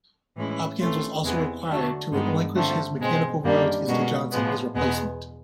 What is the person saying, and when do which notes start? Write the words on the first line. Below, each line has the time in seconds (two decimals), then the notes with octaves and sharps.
Hopkins was also required to relinquish his mechanical royalties to Johnson, his replacement.
0.36 A2 E3 G#3 C#4 E4
0.80 C3 E3 A3 C#4 F4
1.24 E2 C3 E3 G#3 B3
1.67 D3 F#3 A3 D4
2.11 G2 D#3 G#3 B3 D#4
2.55 D3 F3 A3 C4
2.99 B2 G#3 C4
3.43 F#2 D#3 G3 A#3 D4
3.87 B2 G#3 C#4 F#4 A#4
4.31 A2 F3 G#3 B3
4.75 E2 B2 G#3 B3